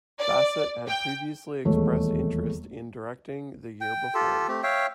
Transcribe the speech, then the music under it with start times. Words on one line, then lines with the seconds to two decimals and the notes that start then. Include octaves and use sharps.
Bassett had previously expressed interest in directing the year before.
0.19 D5
0.87 G5
1.65 D#1 E2 G#3 A3 C#5
3.81 G5
4.14 F4 G4 A4
4.48 A3 C4 G4
4.63 C#5 E5 F5 G5